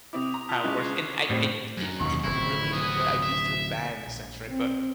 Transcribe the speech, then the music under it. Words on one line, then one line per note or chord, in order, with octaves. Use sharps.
how it works. And I I it it's brilliant, but I do feel bad in a sense, right? But,
C3 C4 E4 D6 D#6 F7
A#5
F4 A5 F6 B6 F7
G#3 C#4 E4 C#6 D6 F#6
C#3 D#6 G#6 C7
A2 G3 C4 C5
F#2
D#2 B2 C#6
D1 F2 C3 E4
B3 G#4 D#6
E5
A#1
C4